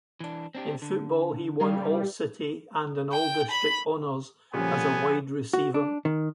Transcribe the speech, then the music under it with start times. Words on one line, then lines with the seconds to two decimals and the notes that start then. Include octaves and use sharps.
In football, he won All-City and an All-District honors as a wide receiver.
0.20 E3 D4
0.55 C4 D4 G4
0.82 D3
1.60 C#3 G3 G#4 F5
3.12 G5
3.51 B5
4.53 A#2 C#3 F3 G3 B3 C#4 A4 G#5
5.53 F#4
5.74 D4
6.05 D#3